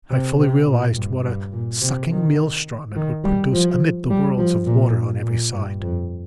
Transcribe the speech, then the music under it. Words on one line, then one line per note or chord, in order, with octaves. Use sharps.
I fully realized what a sucking maelstrom it would produce amid the worlds of water on every side.
C3
C3
A#2
G2
G2
A#2
C3
D#3
D#3
G3
F3
G3
F3
A#2
A#2
G2
F2